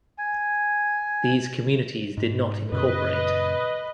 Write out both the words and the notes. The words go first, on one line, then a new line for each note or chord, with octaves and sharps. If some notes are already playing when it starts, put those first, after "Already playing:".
These communities did not incorporate.
G#5
G#2
F#2 A#2 C#3 B4 D#5